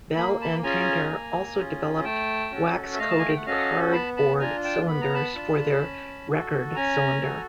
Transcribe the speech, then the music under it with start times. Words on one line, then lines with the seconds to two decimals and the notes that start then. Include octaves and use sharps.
Bell and Tainter also developed wax-coated cardboard cylinders for their record cylinder.
0.16 A#3 B5
0.41 A5 B5
0.63 C#4 F4 G#4 G#5 A#5
1.10 A#3
1.57 C#4 F4 G#4
2.04 A3 G5 A5
2.51 C#4 F#4 A4
2.94 E5
2.99 A3 D#5 F5
3.10 A5
3.19 G#5
3.28 G5
3.37 F#5
3.46 C#4 F#4 A4 D#5 F5
3.92 B3 A5 B5
4.17 A5 B5
4.40 D4 F4 G#5 A#5
4.64 G5 A5
4.87 B3 B5
5.01 A#5
5.14 A5 B5
5.34 D4 F4
5.81 C#4
6.29 F#4 A4
6.75 C#4 G#5 A#5
7.22 F#4 A4